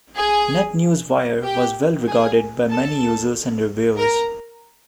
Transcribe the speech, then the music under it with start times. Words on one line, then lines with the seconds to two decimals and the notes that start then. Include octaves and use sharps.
NetNewsWire was well regarded by many users and reviewers.
0.17 G#4 G#5
1.43 G4 G5
2.07 G#4 G#5
2.71 A4 A5
3.97 A#4 A#5